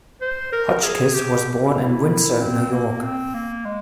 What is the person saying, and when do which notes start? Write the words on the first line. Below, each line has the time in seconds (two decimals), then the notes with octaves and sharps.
Hotchkiss was born in Windsor, New York.
0.21 C5
0.52 A#4
0.78 A#4
0.84 G#4
1.15 G4
1.77 E4
2.09 E4
2.40 C4
2.72 A#3
3.02 C4
3.34 A#3
3.65 G#3